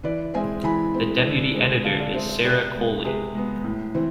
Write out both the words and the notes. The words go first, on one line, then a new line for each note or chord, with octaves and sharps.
The Deputy Editor is Sarah Coley.
E3 B4 D5
G#3 C4 E5 G#5
E3 G#5 B5
G#3 C4
D3
G#3 C4
D3 F5 A5
D5 F5
G#3 C4 C5 E5
C5 E5
C3 B4 D5
G#3 B3
C3 G#4 B4
G#3 B3
A2
E3 C4